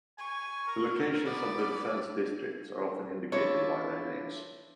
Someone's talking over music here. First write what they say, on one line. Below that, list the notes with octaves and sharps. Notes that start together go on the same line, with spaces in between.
The locations of the defence districts are often indicated by their names.
G#5 C#6
A#4
B3 D5
D4 E4 F4 C#5